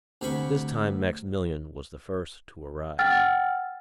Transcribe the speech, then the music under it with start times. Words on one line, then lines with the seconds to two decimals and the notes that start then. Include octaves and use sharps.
This time Maximilian was the first to arrive.
0.21 D2 C3 C5 G#5 B5 C#6
2.99 F#5 G5 E6 F6 A6